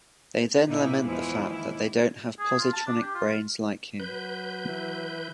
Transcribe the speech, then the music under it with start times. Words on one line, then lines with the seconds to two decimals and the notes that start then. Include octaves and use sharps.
They then lament the fact that they don't have positronic brains like him.
0.67 A#2 E3 A#3 D#4 E4
1.01 E2 E3 F3 G#3 E4
1.49 D#2 E4
2.39 G#4
2.58 F4
2.73 A5
2.87 D4
3.02 G4
3.15 F4
4.00 F#3 B4 G6
4.68 E3